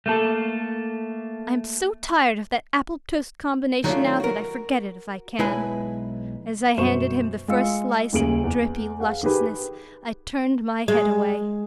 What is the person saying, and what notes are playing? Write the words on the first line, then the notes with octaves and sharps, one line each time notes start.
"I am so tired of that apple-toast combination now that I forget it if I can." As I handed him the first slice of drippy lusciousness, I turned my head away.
A3 A#3 A4
D#3 F#3 A3 D4 F4
F#4 A#4
B1 G#3 E4 B4 G#5 B5
G1 F#2 B2 C5 C#6 E7
G#3 F4 E6 C#7
D#1 D#2 C#3 G#4 D7 F#7
E2
G#4 F5 F#5
D#3 G4 G#4 B4
G#3